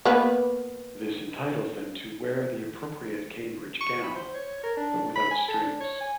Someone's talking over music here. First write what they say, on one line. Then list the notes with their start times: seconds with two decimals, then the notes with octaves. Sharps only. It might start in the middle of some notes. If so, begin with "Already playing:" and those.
This entitles them to wear the appropriate Cambridge gown, but without strings.
0.05 A#3 B3 B4
3.81 C#6
4.03 B5
4.16 C5
4.34 C#5
4.63 A#4
4.77 D4
5.16 B5
5.31 G#5
5.48 A4
5.63 D4
5.81 C#5
6.01 G#5